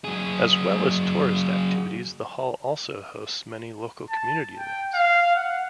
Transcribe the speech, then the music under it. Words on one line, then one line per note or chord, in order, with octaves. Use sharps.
As well as tourist activities, the hall also hosts many local community events.
F#3 G#4
A5
G5
F5
F#5